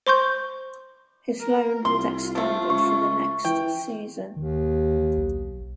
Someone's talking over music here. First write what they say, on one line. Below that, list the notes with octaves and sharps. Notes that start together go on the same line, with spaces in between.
His loan was extended for the next season.
C5 C6 C#6 G6
A#4
C2 F4 C6
F3 A3
C#2 C#6
E3 G5
D#2 D#3
B1